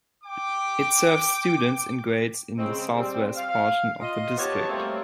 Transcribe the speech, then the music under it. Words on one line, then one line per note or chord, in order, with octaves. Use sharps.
It serves students in grades in the southwest portion of the district.
G5 D6
C#3 G#3 C4
G3 C4
F5
F4 D#5
B3 G4 C#5 A5
F#3 G3 A3 A#3 C4